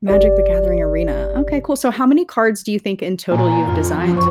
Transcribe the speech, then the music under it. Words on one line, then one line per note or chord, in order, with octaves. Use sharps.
Magic the Gathering Arena. Okay, cool. So, how many cards do you think in total you've designed?
G1 G4 D5
A#2 G#5 A#5
F2 F4
F3
F#2 C5 C#6